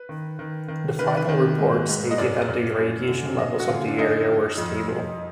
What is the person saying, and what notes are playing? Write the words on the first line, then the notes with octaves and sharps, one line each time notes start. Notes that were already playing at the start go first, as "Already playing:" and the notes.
The final report stated that the radiation levels of the area were stable.
Already playing: B4
D#3
D#3
D#3
D#3 B4
D5
B4
D#3
G#2
G#2
D#5
F#2 D5
F#2
F#2
D3
F#2 D#5
F#4
D3 F4
D4
F#2 D#4
F#2
F2
F2